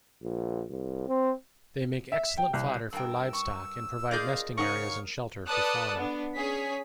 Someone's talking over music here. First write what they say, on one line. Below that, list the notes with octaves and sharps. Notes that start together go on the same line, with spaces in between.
They make excellent fodder for livestock and provide nesting areas and shelter for fauna.
A#1
C2
C4
E5
G5
C2
G2 A#4 G5 E6
C#6
F4 G#4 A#4 D5 D#5 F5 G6
C#3 D#4 A#4 C#5 F5 F#5 C#6 D#6
A4 B4 D5 A5 D#6 F#6
B3 D4
C#4 G#4 C#5 B6